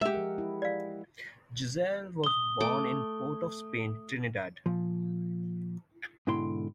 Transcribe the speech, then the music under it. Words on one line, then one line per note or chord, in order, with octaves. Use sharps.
Giselle was born in Port-of-Spain, Trinidad.
G#3 G4 E5 F#5
F3 A#4
E4
D5 F5
D#6 G7
A3 D6
A#2 F3
G#2 B2 D3 E4 G5 C6